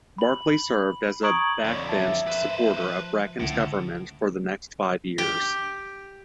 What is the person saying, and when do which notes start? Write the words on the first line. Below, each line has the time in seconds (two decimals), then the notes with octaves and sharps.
Barclay served as a backbench supporter of Bracken's government for the next five years.
0.18 B5 F#7
1.23 A#5 C#6 D#6 G#6 D7 F#7
1.64 F2 D3 C#5 D5 G#6
1.89 E5 A5
2.27 B4 C5
2.82 F3
3.40 C#2 A2 D3 F#5
5.18 G4